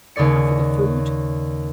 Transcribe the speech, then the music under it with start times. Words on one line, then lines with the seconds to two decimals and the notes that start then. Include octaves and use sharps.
And for the food!
0.16 D#2 C#3 C#5 D5 C#7